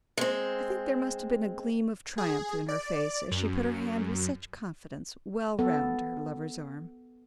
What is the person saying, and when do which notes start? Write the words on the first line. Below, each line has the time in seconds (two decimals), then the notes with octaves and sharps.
I think there must have been a gleam of triumph in her face as she put her hand with such confidence well round her lover's arm.
0.18 G#3 C4
2.18 G#4
2.69 D5
3.31 F#2
5.59 B3 A4